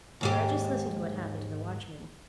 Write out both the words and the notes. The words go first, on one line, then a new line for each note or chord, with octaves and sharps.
Now just listen to what happened to the watchman.
D#2 G#2 G4